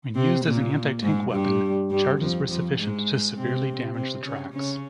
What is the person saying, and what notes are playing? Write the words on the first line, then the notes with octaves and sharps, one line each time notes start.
When used as an anti-tank weapon, charges were sufficient to severely damage the tracks.
C3 C4
A#2 A#3
G#2 G#3
G2 G3
G2 G3
F2 F3
F2 F3
G#2 G#3
C3 C4
C3 C4
C#3 C#4
C#3 C#4